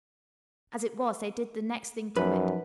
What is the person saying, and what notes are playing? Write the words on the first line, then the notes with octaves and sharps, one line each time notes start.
As it was, they did the next thing to it.
F#2 F3 D#4 B4 A5